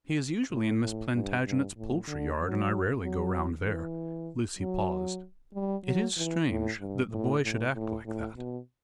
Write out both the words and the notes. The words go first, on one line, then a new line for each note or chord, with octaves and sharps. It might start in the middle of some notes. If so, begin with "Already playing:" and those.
He is usually in Miss Plantagenet's poultry yard, and I rarely go round there." Lucy paused. "It is strange that the boy should act like that.
A2
A2
G2
G2
A2
D3
F#3
F#3
E3
F#3
G3
F#3
E3
A2
G2
A2
A2
A2
A2
B2